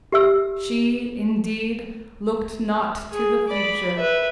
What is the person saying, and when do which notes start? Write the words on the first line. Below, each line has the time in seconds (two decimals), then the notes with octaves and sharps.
She, indeed, looked not to the future.
0.12 G4 E5 E6
3.10 G#4
3.48 D5 B5
3.96 B4 E5